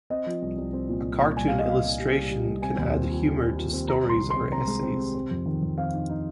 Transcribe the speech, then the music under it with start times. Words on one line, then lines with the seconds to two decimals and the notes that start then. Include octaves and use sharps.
A cartoon illustration can add humor to stories or essays.
0.10 C4 D#5
0.26 F3
0.42 C2
0.57 C2
0.73 C4
0.89 A#2
1.05 C2
1.21 A#2
1.37 C2 G#5
1.48 C3 F5
1.59 D#5
1.68 C3 F5
1.84 C2
2.00 C3
2.15 C2
2.31 C3
2.47 C2
2.62 C4 G#5
2.78 D#2
2.94 C4
3.10 F4
3.26 D#3
3.41 C4
3.57 F4
3.73 C4
3.88 C4 A#5
4.04 C2
4.09 C6
4.20 C3
4.30 C6
4.36 C4
4.52 C4 A#5
4.67 G#3
4.83 C4
4.98 C3
5.14 C4
5.31 F2
5.46 D#3
5.62 F2
5.78 C4 F5
5.94 D#4
6.09 D#4